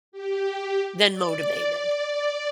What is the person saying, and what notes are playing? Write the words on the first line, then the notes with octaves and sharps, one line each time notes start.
than motivated?
G4
D5